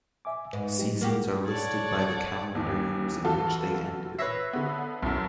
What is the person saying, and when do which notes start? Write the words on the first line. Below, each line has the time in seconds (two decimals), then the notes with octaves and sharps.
Seasons are listed by the calendar years in which they ended.
0.25 E5 G#5 D6
0.53 G#2 B4
0.79 F#3 D#4 G4
1.01 G#3 A#3 F#4 G4
1.46 A4 C#5 D5 F#5
2.55 D#2 E3
3.25 E3 F4 F#4 A4
4.18 B4 C#5 E5 E6 A#6 C7
4.53 D3 B3
5.03 B1 F#2 E4 A5